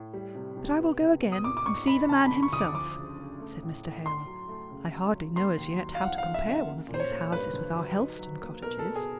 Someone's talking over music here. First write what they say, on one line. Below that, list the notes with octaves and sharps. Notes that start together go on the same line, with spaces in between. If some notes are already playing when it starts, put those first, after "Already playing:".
'But I will go again, and see the man himself,' said Mr. Hale. 'I hardly know as yet how to compare one of these houses with our Helstone cottages.
Already playing: A2
G3
C3
C3
B3
C#2
B2
D#6
A#2 D6
D6
D#4 C#6
D#4 B5
D2 A5
B5
D3
C#6
D2 D#6
D6
F3 D6
C#3
C#3
A3
A2
A2
A2 C6
F#3
A3
C#3
F#3
C#4
A#3 C6
D#2
F#3
F5
F3 F#5
F5
F3
E5
C#3
E5
A#3
A#2
C5
C#5
A#3
G2 B4
D3
F#3
D#4
F#3
A#3
B2 A#4
A4
B2
G#4